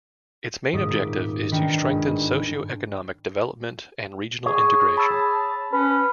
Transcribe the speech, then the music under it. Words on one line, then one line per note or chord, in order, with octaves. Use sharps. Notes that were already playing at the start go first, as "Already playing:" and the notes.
Its main objective is to strengthen socio-economic development and regional integration.
D#1 G#2 C#5 D6 D#6 D7
B6
D#3 D4 B4 G5 A#6 C#7
G1 G#2
G#4 C#5
A5 B5 E6
C#4 B4